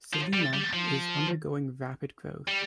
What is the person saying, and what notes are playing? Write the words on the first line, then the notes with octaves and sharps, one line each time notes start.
Celina is undergoing rapid growth.
F3
G3
G3
F3
G3